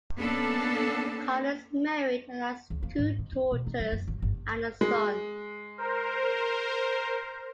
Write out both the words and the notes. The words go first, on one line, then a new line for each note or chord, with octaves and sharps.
Khan is married and has two daughters and a son.
A#3 B3 C#4 D4 A4
C#2
A#3
G#2
G#3
E4
B2
D#4
G3
F#2
G1
G1
G#3
A#4 C5